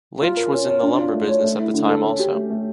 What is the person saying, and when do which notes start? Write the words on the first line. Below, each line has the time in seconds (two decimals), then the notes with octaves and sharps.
Lynch was in the lumber business at the time also.
0.22 F4
0.37 A#4
0.52 C#4
0.67 C#5
0.83 D4
0.98 F4
1.13 A3
1.28 C#5
1.43 A3
1.59 E4
1.74 D3
1.89 A4
2.04 C#4
2.20 G4
2.34 A3
2.50 A3